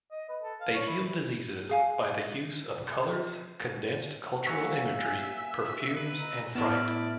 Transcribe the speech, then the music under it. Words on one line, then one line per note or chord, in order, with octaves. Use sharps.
They heal diseases by the use of colors, condensed cultural imagery, perfumes and fright.
D#5
B4
A4
F5
C#5
E4
G#4 F5 G#5
A#3 F#4 C#5 E5 G#5
B4
D#5 A#5 E6
A2 B3 E4 D5 E5 A5 F6